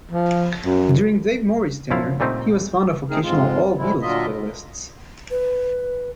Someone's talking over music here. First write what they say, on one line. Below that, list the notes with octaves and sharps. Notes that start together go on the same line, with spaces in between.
During Dave Morey's tenure, he was fond of occasional all-Beatles playlists.
F3
F#2
F#2 F3 E4 F5 A5
A#2 G3 A3 C4 D#4
A3 C4 D#4 G#4 A#4
F2 G#2 G#3 F4
A2 F3 G3 G#3 E4
A#2 D3 F#3 F4 D#5 E5
B4